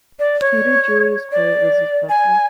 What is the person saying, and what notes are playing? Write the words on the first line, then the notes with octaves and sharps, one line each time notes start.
Peter Julius Coyet was his brother.
D5
C#5
D5
G#5